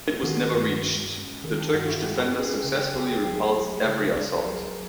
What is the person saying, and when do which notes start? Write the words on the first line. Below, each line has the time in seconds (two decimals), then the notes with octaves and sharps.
It was never reached; the Turkish defenders successfully repulsed every assault.
0.23 D#3 F#4 G#4
0.54 G2
0.83 G#3
1.13 C#4
1.44 D#3 G#4 A#4
1.54 G#4
1.58 G4 A4
1.73 G2 F#4 G#4
1.82 F4
1.88 E4 F#4
2.03 G#3 G4
2.16 G#4
2.28 G4
2.33 C#4
2.39 G#4
2.51 G4
2.64 C#3 G#4
2.76 G4
2.88 G#4
2.94 C#2 G4
3.11 G#4
3.24 F#3 G4
3.35 G#4
3.47 G4
3.54 A3
3.60 G#4
3.71 G4
3.83 C#3 G#4
3.95 F4 G4
4.14 C#2
4.43 F#3 G#4 A#4